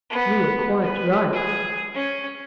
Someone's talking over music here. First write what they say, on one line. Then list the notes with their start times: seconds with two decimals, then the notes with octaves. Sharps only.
'You are quite right.
0.10 B3
0.82 B4
1.33 G#4
1.94 C#4